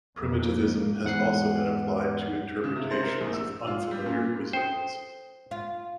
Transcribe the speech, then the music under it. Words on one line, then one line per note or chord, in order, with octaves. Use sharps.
Primitivism has also been applied to interpretations of unfamiliar cuisines.
F2 A#3
E2 G#2 F#5 F#6 C7
C#3
C3
C5
A#4
A#1
E6
F4
G3
A#2
A4 C5 G5
F4